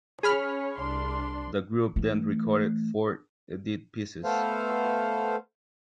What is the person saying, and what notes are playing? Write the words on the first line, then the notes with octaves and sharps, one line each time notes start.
The group then recorded four edit pieces.
C#4 G#4 C#5 B5 F6
C2 D4 C6
E3 A3
A3 B3 A4 C5 F5